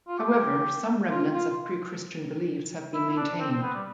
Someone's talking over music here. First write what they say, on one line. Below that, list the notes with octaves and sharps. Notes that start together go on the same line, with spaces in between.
However, some remnants of pre-Christian beliefs have been maintained.
F4
G4
F4
F4
E4
E4
D4
C4
C4
B3
G3